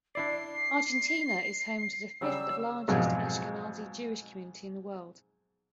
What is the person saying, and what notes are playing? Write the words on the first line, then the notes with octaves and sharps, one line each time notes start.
Argentina is home to the fifth largest Ashkenazi Jewish community in the world.
D4 E4 D5 C7
C#3 F#3 G3 E6
F2 G#2 B2 F#3 G#3